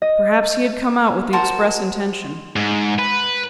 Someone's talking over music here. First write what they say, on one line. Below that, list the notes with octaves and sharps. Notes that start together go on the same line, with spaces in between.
Perhaps he had come out with the express intention.
D#5
F#4 A#4 C5 A5
G#2
B4